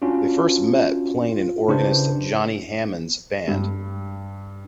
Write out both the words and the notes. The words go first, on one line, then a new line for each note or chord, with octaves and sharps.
They first met playing in organist Johnny Hammond's band.
C#4 D4 F4 F#4
F4
C#3 D4 E4 G4 B4 C5
G2